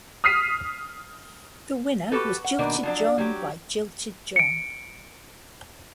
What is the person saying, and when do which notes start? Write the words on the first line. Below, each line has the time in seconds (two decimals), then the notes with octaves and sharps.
The winner was Jilted John by Jilted John.
0.24 D#6 F6 B6 C7 D#7
2.12 F#4 G4 A4 B4
2.44 F#5
2.59 B2 D#3 A#3 D4
2.83 F3 F#3 D4
3.18 F#3 G4
4.36 C#7 D7